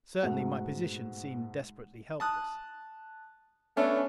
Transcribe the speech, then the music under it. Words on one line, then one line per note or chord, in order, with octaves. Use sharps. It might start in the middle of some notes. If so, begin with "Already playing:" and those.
Certainly my position seemed desperately helpless.
G#2 B2 A3 F#5
A5 D#6 F#6
A3 B3 C#4 D4